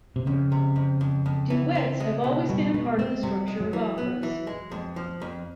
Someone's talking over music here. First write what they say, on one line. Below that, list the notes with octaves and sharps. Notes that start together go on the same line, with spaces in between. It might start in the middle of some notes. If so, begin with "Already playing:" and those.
Duets have always been a part of the structure of operas.
C3
F2 C#3
C3
F2
F2
F2
E3
C4
G#3
B2
B2 G3
B2 G#3
G#3 C4
C3 G3
G#3
F#3
E3
B3
E3
G#3
F2
F3
F2